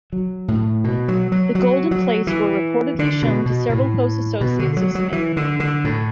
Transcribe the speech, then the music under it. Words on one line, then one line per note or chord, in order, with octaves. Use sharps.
The golden plates were reportedly shown to several close associates of Smith.
F#3
A2
B2
F#3
F#3
F#3
F#3
E3
D3
B2
B2
A2
B2
D3
F#3
F#3
E3
D3
D3
A2